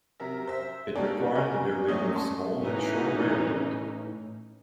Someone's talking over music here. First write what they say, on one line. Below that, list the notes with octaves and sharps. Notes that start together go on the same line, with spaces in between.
It required the building of small and short railroad.
C3 F#3 A#4 E5
C5 E5
A#3 C#4 D#4 G4 A4 D5
D4 A#4 G#5 C#6
E2 A#2 A3 C#4 D#5 D#6
A5 C6 C#6
A2 E3 C#4 D#4